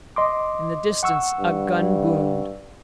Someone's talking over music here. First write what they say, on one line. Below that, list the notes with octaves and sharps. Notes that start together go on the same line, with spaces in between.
In the distance a gun boomed.
D#5 C6 D6
F#5 C#6 E6
G2